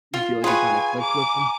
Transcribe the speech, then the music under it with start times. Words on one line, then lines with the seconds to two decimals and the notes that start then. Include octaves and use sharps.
You feel like you kinda clicked with 'em?
0.14 F4
0.44 F4 G#4 B4 C#5 G5 G#5
1.01 G#5 A#5 D6